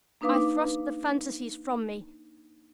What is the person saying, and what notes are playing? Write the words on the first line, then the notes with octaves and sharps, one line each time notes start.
I thrust the fantasies from me.
A#3 D4 D#4 B4 F5 D6